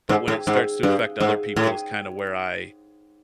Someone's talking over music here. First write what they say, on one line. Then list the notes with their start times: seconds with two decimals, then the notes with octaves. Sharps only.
but when it starts to affect other people is kinda where I
0.09 G#2
0.28 A2
0.47 G#2
0.83 G2
1.20 G#2
1.56 A2